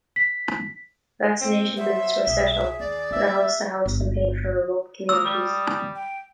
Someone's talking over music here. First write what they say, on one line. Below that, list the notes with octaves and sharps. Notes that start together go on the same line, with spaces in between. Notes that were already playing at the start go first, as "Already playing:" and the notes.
Vaccination booths were set up, with a house-to-house campaign for remote communities.
B6
A#2 C4
F#3 B3 C5 E5
B1 G#4
D#2 D5
G3 A#3 E5
G1
A#3 D#6 E6
G3
G5